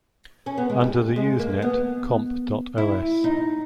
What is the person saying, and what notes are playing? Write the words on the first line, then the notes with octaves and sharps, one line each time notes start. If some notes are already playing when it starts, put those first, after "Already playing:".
Under the Usenet comp.os.
C#4
B3
G#3
G3
G#3
A#3
B3
E4
D#4